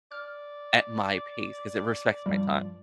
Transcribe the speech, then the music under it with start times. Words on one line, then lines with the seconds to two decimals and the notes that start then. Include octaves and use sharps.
at my pace, 'cause it respects my time.
0.12 D5 F6
2.26 G2 F3 G3